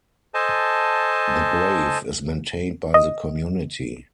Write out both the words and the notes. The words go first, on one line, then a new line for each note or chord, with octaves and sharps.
The grave is maintained by the community.
A4 C5 D#5 G#5 A5
D#5